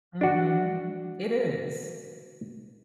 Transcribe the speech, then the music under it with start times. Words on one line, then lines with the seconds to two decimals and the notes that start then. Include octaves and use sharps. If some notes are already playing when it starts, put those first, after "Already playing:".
Mhm, it is.
0.21 D4 F#4